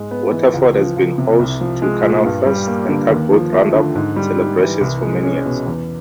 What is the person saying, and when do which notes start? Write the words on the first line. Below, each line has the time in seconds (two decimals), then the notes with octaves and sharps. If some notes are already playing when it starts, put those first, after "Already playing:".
Waterford has been host to "Canal Fest" and "Tugboat Roundup" celebrations for many years.
Already playing: G#2 G#3
0.11 B3
0.32 E3
0.54 C#2
0.75 F3
0.97 C#2
1.18 C3
1.39 C2
1.61 F3
1.82 G#3
2.03 A#2
2.24 G2
2.46 G3
2.67 A#3
2.88 D3
3.10 D#2
3.31 F3
3.53 A3
3.74 D3
3.95 G#2
4.16 G3
4.38 G#2
4.59 E3
4.81 C2
5.02 G#3
5.23 C#4
5.45 B2
5.67 E2